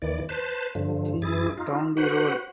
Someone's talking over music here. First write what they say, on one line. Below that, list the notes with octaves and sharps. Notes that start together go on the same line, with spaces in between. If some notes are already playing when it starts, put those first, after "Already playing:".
See you down the road.
D#2 D#3 E3 D5
B4 C5 A5
G2 D3 F3
F#2 E4 G#4 A6
D#4 F4
F#4 B4 C5 F#5